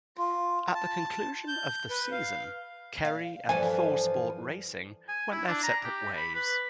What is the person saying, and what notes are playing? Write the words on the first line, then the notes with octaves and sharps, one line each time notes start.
At the conclusion of the season, Kerry and ThorSport Racing went their separate ways.
F4
A5
G6
B4
F5
F5
G2 E3 F3 A4 G#5
G#5
E4
D4
A#5
G4
B5
B4